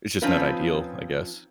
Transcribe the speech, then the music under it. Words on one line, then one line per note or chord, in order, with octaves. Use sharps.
it's just not ideal, I guess.
F3 C4 C#4 D#4 F4 B4